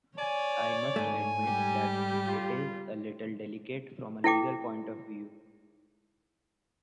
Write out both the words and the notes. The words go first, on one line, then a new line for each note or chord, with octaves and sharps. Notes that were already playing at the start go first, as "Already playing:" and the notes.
I must admit that it is a little delicate from a legal point of view.
C#5 D5 G#5
G#2 A3 G#5
G3 G4
F4
E4 A4 G5 D6